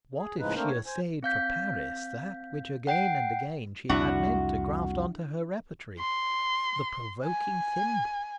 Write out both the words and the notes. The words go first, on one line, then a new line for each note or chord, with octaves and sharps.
What if she essayed for Paris that which again and again she had meant to graft on to her repertory--the Provoking Thimble?
G#4
A2 C#3 F3 G#3 D#4 B4
A3 A#3 C4 D4 A#4 C5
A2 C#5
C5 G#5
C4 F5 G6 B6
F#5 G5 C7 D7
C2 F2 D4 E4 F#4
C6
G#5